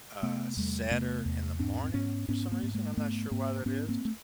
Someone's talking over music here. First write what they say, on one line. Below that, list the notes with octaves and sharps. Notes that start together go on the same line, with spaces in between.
uh, sadder in the morning, for some reason, I'm not sure why that is,
C3 A3 B3
E2 G3 A3
C3 A3 B3
E2
G#2 C4 D4
C4
G#2 B3 C#4
G#2 B3 C#4
A#3 C4
G#2
G#3 A#3
G#2 A3 B3
G#2 A#3 C4
G#2 B3 C#4
A#3 C4
A3